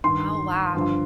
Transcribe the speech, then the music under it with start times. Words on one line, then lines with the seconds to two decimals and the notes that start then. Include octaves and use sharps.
Oh, wow.
0.04 G2 D#3 C6
0.75 G2 D3 F3